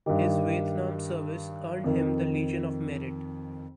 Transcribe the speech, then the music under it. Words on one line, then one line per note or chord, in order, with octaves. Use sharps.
His Vietnam service earned him the Legion of Merit.
G2 D#3 D#4 G4
F2 D#3